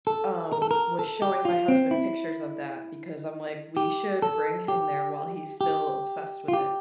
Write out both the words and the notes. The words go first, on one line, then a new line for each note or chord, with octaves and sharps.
um, was showing my husband pictures of that, because I'm like, we should bring him there while he's still obsessed with it.
A4
A#4
A4
A#4
A4
G4
F4
C4
E4
G4
A4
G4
G4
F4
G4